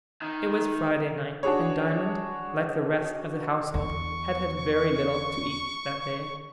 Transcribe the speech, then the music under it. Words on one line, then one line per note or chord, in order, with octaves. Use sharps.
IT WAS Friday night, and Diamond, like the rest of the household, had had very little to eat that day.
D#3
D4 F#4 G#4 C#5
E2 C#6